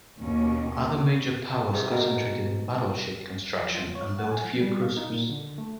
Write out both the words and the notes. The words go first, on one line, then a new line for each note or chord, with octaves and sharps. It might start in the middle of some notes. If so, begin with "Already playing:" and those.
Other major powers concentrated on battleship construction and built few cruisers.
D#2 B2 A#3 C#4
G#2 C3
B2 A#4
F3
F4
C#5
F#5
G#5
F3
G3
F5
D#4
A#2
D3
A3